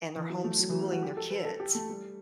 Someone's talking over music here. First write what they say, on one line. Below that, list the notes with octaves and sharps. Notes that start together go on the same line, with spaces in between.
and they're homeschooling their kids.
E3
F#3
A3
F#3
E3
G3
F#4
G4
A4
B4
A4
G4
A3
G3